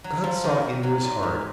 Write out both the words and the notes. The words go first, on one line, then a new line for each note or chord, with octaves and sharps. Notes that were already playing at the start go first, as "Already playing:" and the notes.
God saw into his heart.
F#3
F3
D#3
F#3
A#2
G#2